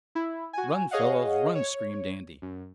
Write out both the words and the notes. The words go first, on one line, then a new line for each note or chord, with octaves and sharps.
"Run fellows, run!" screamed Andy.
E4
F#4 G#5
G#4 C#5 D#5 F5 F#5
C#5
F#2